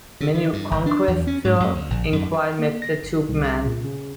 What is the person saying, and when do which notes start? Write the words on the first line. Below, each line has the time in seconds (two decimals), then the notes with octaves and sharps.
'Many conquests, sir?’ inquired Mr. Tupman.
0.21 C#3
0.35 D#3
0.53 G2
0.71 G1
0.86 D4
1.08 E2
1.27 C#4
1.45 G#2
1.60 F#2
1.75 D2
1.90 A#1
2.13 F#2
2.59 A#3
2.82 A#6
3.03 G1
3.29 C2
3.66 A#2
3.84 C#3